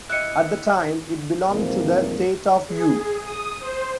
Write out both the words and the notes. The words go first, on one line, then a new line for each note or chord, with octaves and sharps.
At the time, it belonged to the state of Yue.
E4 G4 D#5 F#6 C#7
C2 G#2 C3 E3 F3 A#3
G#4
D#6
C5